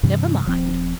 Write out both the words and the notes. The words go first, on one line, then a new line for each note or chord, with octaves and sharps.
Never mind.'
G2 C3 E3 G3
D#1 F3 C4